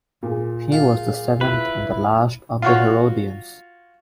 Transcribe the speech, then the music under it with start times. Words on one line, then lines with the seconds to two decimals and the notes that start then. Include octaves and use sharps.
He was the seventh and last of the Herodians.
0.23 A#2 G#4
0.72 F4
1.41 E4 B4
2.62 F4 F#4 C#5